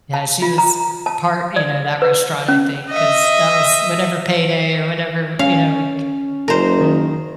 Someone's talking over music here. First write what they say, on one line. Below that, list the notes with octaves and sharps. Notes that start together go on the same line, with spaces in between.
Yeah, she was part, you know, that restaurant, I think, 'cause that was whatever payday or whatever, you know, we
A5
F4
A#5
A5
D5
B4
C#4
D#5 E5
C#4 F5
F#1 A#4 C5
D#3